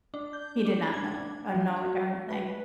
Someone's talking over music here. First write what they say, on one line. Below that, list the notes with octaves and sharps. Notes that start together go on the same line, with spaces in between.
He did not know, uh, know a darn thing.
D4
G6
D4
G#6
D4
F3
F#4
B4